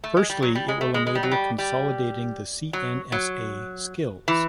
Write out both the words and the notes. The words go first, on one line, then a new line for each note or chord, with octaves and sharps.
Firstly, it will enable consolidating the CNSA skills.
A3
G#3
G3
F#3
G3
G#3
A3
G#3
G#3
G3
F#3
G3
G3
F#3
F#3
E3